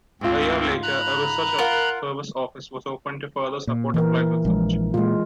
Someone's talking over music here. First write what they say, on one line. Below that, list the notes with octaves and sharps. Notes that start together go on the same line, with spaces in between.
A year later, a Research Services Office was opened to further support applied research.
D2 G#2 C4 F4
A#5 B5 F#6
F4 A#4 F#5
A#2
E3 A#4
A#1 F3 G#3
A#2 G#3 F4